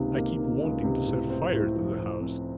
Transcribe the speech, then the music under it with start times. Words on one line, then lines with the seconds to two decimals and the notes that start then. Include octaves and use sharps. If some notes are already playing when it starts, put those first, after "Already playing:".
I keep wanting to set fire to the house.
Already playing: C#2 C3 D#3 A#3
0.15 A#3
0.38 D#3
0.61 C#2
0.84 C3
1.07 A2
1.29 C4
1.52 A2
1.76 F3
1.98 A2
2.21 C4